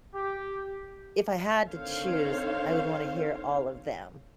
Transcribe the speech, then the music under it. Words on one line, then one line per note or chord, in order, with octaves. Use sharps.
if I had to choose I would wanna hear all of them.
G4
D3 D#3 C4 C5 C#5 F5